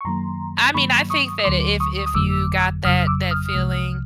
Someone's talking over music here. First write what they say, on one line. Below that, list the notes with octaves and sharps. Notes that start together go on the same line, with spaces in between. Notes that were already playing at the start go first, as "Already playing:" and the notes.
I mean, I think that if if you got that that feeling,
C#6
F#2 D#3 F#3 A#3 A#5 C6
G2 D#3 F#3 A#3 B5 C#6
C#6 D#6
D#6
D2 D3 F#3 A3 C6 D6
C#6 D#6
D#6
G1 F2 D3 F#3 A3 D6 E6
G1 F2 C#3 F#3 D#6 F6
D6 E6
D#6 F6
C2 C3 F3 G#3